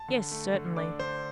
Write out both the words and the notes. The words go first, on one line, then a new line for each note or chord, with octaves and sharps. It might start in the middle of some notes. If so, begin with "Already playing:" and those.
"Yes, certainly."
Already playing: A5
D3
A3
D3
D4 D6
D3 C5